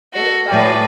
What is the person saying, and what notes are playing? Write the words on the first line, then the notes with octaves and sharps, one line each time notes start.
and it's, like,
F#4 A4
A2 G#4 B4 D5